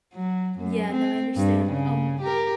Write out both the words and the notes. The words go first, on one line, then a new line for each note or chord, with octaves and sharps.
Yeah, no, I understand. Um,
F#3
F#2
C4
G2
C#3
G4 A#4